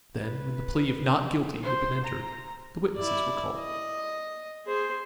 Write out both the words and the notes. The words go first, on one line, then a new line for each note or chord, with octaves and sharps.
Then, when the plea of "not guilty" had been entered, the witnesses were called.
B4
C5
A#5
E4 D5
D#5
G#4 C5